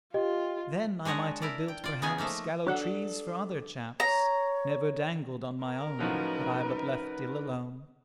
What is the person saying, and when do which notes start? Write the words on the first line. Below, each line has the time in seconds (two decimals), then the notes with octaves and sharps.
"Then I might have built perhaps Gallows-trees for other chaps, Never dangled on my own, Had I but left ill alone."
0.14 F4 G4 D#5
1.05 G#3 D4 C#5 D#5 F#5
1.42 E4 A#4 D5
1.68 G5
1.84 F4 D5
2.02 C#3 B3 D#4 G#4 G#5
2.18 F3 A3 A#3 D#4
2.67 F#3 D4 G4 A4 F#5
4.00 C#5 A#5
5.65 A#4
5.99 A2 F3 F#3 C#4 D#4 F#4 B4